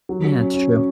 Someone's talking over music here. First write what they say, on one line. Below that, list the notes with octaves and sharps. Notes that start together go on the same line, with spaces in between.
Yeah, it's true.
F#3
F#3
C#4
C#4
C#4